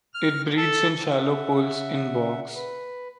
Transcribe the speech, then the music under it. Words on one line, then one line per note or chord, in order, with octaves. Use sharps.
It breeds in shallow pools in bogs.
F6
A4
C#3 E5 F#5
B4